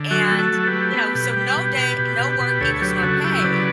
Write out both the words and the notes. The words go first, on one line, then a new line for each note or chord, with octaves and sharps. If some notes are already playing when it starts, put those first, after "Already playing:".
And, you know, so no day no work equals no pay,
Already playing: D3
F#3 F#4 A4
A3
F#4 A4
F#3
G4 B4
A3
B3
B2
G3
B2
B2
B2
B2
B2
D2 A4 C#5
F#3 G4 B4
C#3 F#4 A4
F#3 E4 G4
C#3 B4 D5